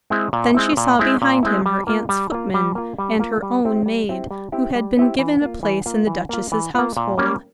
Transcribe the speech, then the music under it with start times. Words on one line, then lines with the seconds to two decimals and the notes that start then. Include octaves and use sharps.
Then she saw behind him her aunt's footman, and her own maid, who had been given a place in the duchess's household.
0.10 G#3 C4 E4
0.33 A#2
0.54 G#3 C4 E4
0.77 A#2
0.99 G#3 C4 E4
1.22 A#2
1.43 G#3 C4 E4
1.66 G3
1.87 A#3 F4
2.09 G3
2.32 A#3 F4
2.54 G3
2.75 A#3 F4
2.99 G3
3.20 A#3 F4
3.42 G3
3.65 C4 E4 G4
3.86 G3
4.09 C4 E4 G4
4.31 G3
4.52 C4 E4 G4
4.75 G3
4.97 C4 E4 G4
5.19 E3
5.41 A#3 F4
5.63 E3
5.86 A#3 F4
6.07 E3
6.29 A#3 F4
6.52 E3
6.75 A#3 F4
6.97 A#2
7.18 G3 A#3 C#4